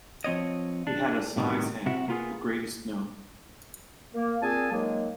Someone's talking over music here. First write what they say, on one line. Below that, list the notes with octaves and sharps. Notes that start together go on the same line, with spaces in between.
He had a size hand, the greatest known.
F3 C4 C#5 D#5
D4
A2 C3 D#3 G3
C3 E4 F#4
A#3 B3 F4 F#4 G#4
A#3
A#2 C4 G#4 G#5 A5
D#3 F#3 G#3 A#3